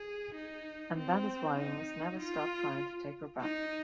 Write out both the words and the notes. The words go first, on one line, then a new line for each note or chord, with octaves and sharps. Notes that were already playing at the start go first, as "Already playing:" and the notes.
And that is why we must never stop trying to take her back.
Already playing: G#4
D#4
C4
D#4
F4
D#4